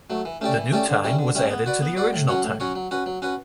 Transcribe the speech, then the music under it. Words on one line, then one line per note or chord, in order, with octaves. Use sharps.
The new time was added to the original time.
F#3 A3
E3
A3 C#4 G4 D5
E3
A3 C#4 G4 D5
D3
G3 C#4 E4
D3
G3 C#4 E4
B3
F#4 B4 D5
B3
F#4 B4 D5
A2
F#3 C#4 F#4 C#5
A2
F#3 C#4 F#4 C#5
F#3
C#4 F#4 B4
F#3
C#4 F#4 B4